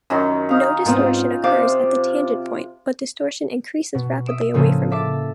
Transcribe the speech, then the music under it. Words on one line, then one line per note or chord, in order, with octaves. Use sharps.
No distortion occurs at the tangent point, but distortion increases rapidly away from it.
F#2 D#3 C#4
D#4 F5
G#2 B3 C4 D#4 F4
C3 D5 F5
B2
E5 D#6 D7 E7
A2 C#3 F3 A#3 G#4 A4
E5 A5 D6 A6